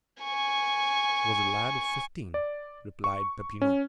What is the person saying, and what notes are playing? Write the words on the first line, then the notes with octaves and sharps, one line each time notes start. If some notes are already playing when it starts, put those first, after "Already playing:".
"Was a lad of fifteen," replied Peppino.
G#5 C#6
D5
C#6
C#4